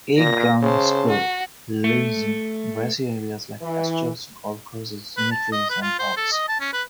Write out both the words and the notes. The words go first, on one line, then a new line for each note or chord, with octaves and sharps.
A ground squirrel lives in grassy areas like pastures, golf courses, cemeteries, and parks.
A#2 A#6
C#3 C5 A5
F#4
A3
E3
B4
A5
D#5
B4
F4
C5
A4
D#5
A5
C#4
B4